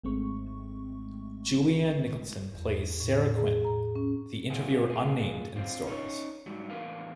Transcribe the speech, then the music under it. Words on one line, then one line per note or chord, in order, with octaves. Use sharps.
Julianne Nicholson plays Sara Quinn, the interviewer unnamed in the stories.
G#1 G#2 G#3 A3 C4 C#6
E2
A2
G#4
A#5
C#4
F#3 G3 A#3 E4 F#4 G#4
A3 F4 G#4
D3 C4 F4
C#4 D#4 E4 C#5
G#2 F#3 G3
E2 A2 D4 A#4 B4 F5